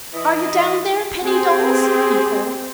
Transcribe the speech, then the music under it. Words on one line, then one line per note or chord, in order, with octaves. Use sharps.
"Are you down there, penny dolls?" he called.
E3 E4 D#5
C4 G4 G#4